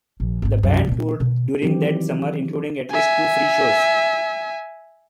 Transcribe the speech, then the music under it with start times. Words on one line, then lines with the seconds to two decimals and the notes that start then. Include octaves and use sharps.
The band toured during that summer, including at least two free shows.
0.20 A#1
0.42 G#1 G3
0.63 C2 F#2
0.87 A#2 C4
1.20 B2
1.62 D#3 E3 F#3 C4 G4
2.91 E5 G#5